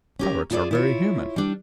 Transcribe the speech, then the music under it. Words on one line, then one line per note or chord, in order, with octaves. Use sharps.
Parrots are very human.
C#4 G4 A#4
E4 F4 G#4 C5 D5 E5
E4 F4 C#5
G3 D4